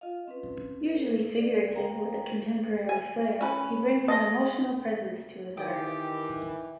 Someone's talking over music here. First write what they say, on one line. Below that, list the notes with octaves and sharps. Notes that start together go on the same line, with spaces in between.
Usually figurative with a contemporary flare, he brings an emotional presence to his art.
F4 D#5 F5
C4 C#4 B4
A4 B4
D5
A#4 F5 G5 A#5
G#5
C#4 B4
D#5 A5
D#3 E3 G4 G5 D#6